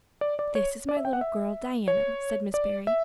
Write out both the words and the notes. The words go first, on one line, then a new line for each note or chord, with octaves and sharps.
"This is my little girl Diana," said Mrs. Barry.
D5
D5
C#5
D5
E5
G5
F#5
E5
C#5
D5
E5